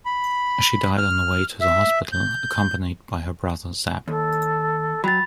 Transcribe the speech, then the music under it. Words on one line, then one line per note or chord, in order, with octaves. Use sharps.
She died on the way to the hospital accompanied by her brother Zab.
B5
F6
E5
G6
D#2 A4
F#3 G5 B5 A6